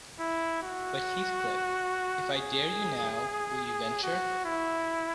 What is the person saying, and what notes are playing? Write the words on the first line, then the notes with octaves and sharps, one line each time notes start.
But, Heathcliff, if I dare you now, will you venture?
E4
F#4
G#4
F#4
E4